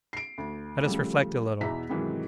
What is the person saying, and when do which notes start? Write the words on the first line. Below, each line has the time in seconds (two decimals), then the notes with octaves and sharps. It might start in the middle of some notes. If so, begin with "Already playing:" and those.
Let us reflect a little.
0.13 C7 D7
0.38 D2
0.85 C#3 F3 G3 A3
1.61 E2 B2 E3 E5 A#5 B6
1.90 G#2 C3 D#3 E3 F#3